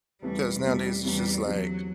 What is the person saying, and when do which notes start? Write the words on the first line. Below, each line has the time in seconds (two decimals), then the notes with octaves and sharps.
‘cause nowadays, it's just like,
0.22 E2 C3 E3 G3 A3 C#4
0.63 E2 C3 E3 G3 A3 C#4
1.05 E2 C3 E3 G3 A3 C#4
1.45 E2 C3 E3 F#3 A3 C#4